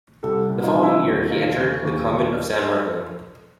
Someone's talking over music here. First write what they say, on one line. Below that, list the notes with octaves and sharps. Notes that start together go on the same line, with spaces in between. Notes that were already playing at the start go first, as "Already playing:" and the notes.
The following year he entered the convent of San Marco.
C2 G4 A4
C2
D#4 F4
C3 D#4
D4 E4
D#2
D#2 D#4 F4
C#3
D#2
D#2